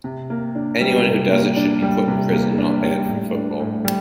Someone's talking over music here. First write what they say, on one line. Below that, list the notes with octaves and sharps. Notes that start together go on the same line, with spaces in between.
Anyone who does it should be put in prison - not banned from football.
C3
A#3
D4
G3
C3
A#3
D4
G3
C3
A#3
D4
G3
A2
D4
A2
G3